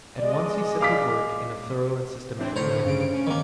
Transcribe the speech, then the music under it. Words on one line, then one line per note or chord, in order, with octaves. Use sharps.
At once he set to work in a thorough and systematic way.
G#3 D5 D#5
F5 D6 B6
E3 C4 D4
A2 D3 C5 C#5 A#5
G2 C#3 D7
C#4
D#3 A#3